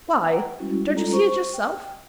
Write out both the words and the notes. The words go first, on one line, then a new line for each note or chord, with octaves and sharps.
Why, don't you see it yourself?
F#5 G5 A#5
G3 G#3 C#4 E4 F#4
G3 G#3 C#4 F4 A4 A#5
C5 C#6
G5